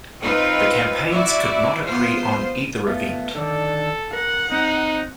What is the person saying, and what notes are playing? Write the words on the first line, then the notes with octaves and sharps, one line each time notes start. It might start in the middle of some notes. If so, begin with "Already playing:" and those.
The campaigns could not agree on either event.
C4 D#4 F4 B4
E4 F#4 D5 E5
B3 F4 C5
A3 B3 F4
D3 D#3 A4 D5
A#4 F#5
C4 D#4